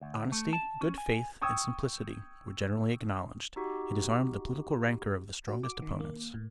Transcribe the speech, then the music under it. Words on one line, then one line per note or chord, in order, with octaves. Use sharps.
His honesty, good faith, and simplicity were generally acknowledged, and disarmed the political rancor of the strongest opponents.
D2
A3
A5
C#4
G#5
G5 C#6 D#6 E6 G#6
D#4 F#4 G4
F#4
D6
D#3
A#3
A2